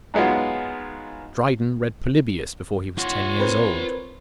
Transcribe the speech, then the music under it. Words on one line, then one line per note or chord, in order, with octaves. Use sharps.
Dryden read Polybius before he was ten years old.
G#2 F#3 G#3 B3 F4
F4 C#5 F#5 C6
C4 A#4 B4